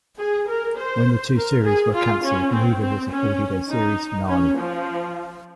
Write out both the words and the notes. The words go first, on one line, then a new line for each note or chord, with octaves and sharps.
When the two series were canceled, neither was afforded a series finale.
G#4
A#4
C5
A#4
G#4
F4
C#4
C4
C4
C#4
D#4
C#4
F3